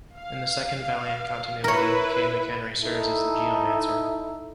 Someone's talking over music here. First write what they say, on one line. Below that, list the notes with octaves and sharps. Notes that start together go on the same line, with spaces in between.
In the second Valiant continuity, Kay McHenry serves as the Geomancer.
F5
E4 A#4 B4 C#5
D#4 E4 A4